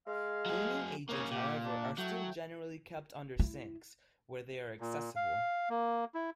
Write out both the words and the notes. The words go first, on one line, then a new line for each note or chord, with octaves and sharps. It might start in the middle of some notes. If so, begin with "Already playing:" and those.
Cleaning agents, however, are still generally kept under sinks, where they are accessible.
G#3 F5
F#3 G#4
D#2 C#3 A#3 C#4
A#2 G4
D4
F#3 A3 E4 G5
E4
A#2
F5
A#3
E4